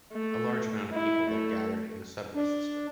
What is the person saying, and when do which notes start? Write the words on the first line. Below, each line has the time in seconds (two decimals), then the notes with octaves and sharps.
A large amount of people that gathered in a subway system.
0.13 A3
0.93 E4
1.30 A3
2.35 D4